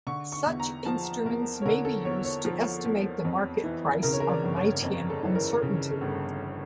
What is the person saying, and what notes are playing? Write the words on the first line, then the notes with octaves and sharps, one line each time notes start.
Such instruments may be used to estimate the market price of Knightian uncertainty.
D3 C#6
C#6
E2
A#5
F3 A5
E2 A#4
C#5
D3 A#4
A4
E2 C#5
C#5
F3
E2
F2
E3
C#3 A#4
C#5
A#4
D5
G1
C#5
F2
A4
E3
A#4
C#3
G1